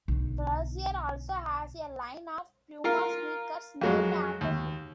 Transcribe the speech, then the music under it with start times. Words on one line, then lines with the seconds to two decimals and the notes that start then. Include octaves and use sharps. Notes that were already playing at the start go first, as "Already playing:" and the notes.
Frazier also has a line of Puma sneakers named after him.
0.08 B1 D3
2.84 F4 A#4 F5
3.81 F2 F#3 G#3
4.41 D#2